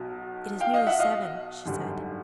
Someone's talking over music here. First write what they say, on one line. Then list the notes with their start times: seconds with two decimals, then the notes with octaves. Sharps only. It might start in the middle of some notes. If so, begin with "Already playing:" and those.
'It is nearly seven,' she said.
Already playing: B1 B2 F#3
0.60 F5 G5
0.74 D#5 F5
0.87 E5 F#5
1.00 D#5 F5
1.65 G#1 F#2 D3 G3